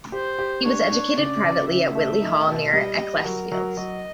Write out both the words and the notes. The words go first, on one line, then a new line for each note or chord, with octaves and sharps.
He was educated privately at Whitley Hall near Ecclesfield.
G4 C5
G4
D4 C#5
D4
C#3 D5
C#3
C#3 E5
A3
D#4
B2
G3 D#5
G3
F#3 A#4
F#3
F#3 D#5